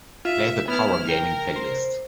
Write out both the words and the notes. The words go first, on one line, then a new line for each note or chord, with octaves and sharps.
Play the Power Gaming playlist.
F4 E5
B3 E4 F6
A#4 G5
C5